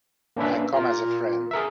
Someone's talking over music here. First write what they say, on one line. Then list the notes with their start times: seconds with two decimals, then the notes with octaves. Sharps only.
I come as a friend.
0.37 A#3 C#4 D4 B4 E5
0.73 F4 A#4
1.51 G#4 A#4 E5